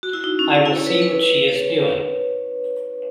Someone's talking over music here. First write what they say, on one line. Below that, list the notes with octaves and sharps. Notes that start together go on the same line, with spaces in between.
I will see what she is doing.
F#4
E4
D#4
C#4
C#4
E4
C#5
B4
B4
C#5